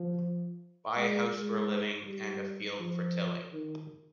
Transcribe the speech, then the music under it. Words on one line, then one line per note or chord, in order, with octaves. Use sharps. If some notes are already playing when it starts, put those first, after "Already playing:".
Buy a house for living and a field for tilling.
Already playing: F3
G#3
G#3
G3
F3
D#3